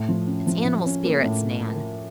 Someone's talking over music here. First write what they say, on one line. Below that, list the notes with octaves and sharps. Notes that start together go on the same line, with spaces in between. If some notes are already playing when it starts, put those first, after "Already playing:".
It's animal spirits, Nan.
Already playing: A2
F3
C#4
F3
F3
C#4
A#3
A2